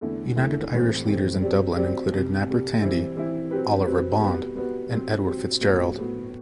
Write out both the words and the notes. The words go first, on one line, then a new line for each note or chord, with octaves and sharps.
United Irish leaders in Dublin included Napper Tandy, Oliver Bond and Edward Fitzgerald.
E2 D3 A3 E4
E2 D3 A3 E4
A2 E3 G3 C4 G4
A2 E3 G3 C4 G4
F#3 C4 G4 D5
F#3 C4 G4 D5
C2 C3 G3
C2 C3 G3
E3 G3 C4 E4
E3 G3 C4 E4
F#3 C4 G4 B4
F#3 C4 G4 B4
G3 B3 F#4 B4
G3 B3 F#4 B4
F#3 C4 G4 C5
F#3 C4 G4 C5
A2 F#3 B3 F#4
A2 F#3 B3 F#4